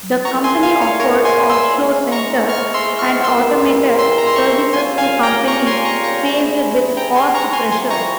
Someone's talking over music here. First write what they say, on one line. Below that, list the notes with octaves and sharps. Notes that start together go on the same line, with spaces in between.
The company offered offshore centers and automated services to companies faced with cost pressures.
A#2 G3 A#3 E4 G#4 A#5 C#6
G#5 C6
F5 G#5
C#5 F5
A#4 C#5
G#5 C6
C6 E6
G#3 E4 G#4 C5
A#5 C#6
C#6 F6
C6 E6
C#6 F6
E3 G#3 E4 G4 A#4 C6 E6
C6 E6
A#5
C6
A#5 C#6
C#3 G3 C#4 F4 A#4 G#5 C6
F5 G#5
G5 A#5
A#5 C#6
G#5 C6
A#5 C#6
A#5 C#6
G3 C4 E4 G#4
G5 A#5
G#5 C6
A#5 C#6
G#5 C6
F3 C4 E4 G4 G#5 C6
A#5 C#6